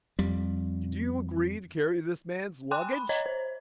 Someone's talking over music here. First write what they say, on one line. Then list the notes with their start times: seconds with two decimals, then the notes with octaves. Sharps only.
"Did you agree to carry this man's luggage?"
0.19 F2 G3
2.71 G5 G#5 C6 D6 F#6
2.93 B5
3.09 C#5 D#5 A#5 G#6
3.26 C5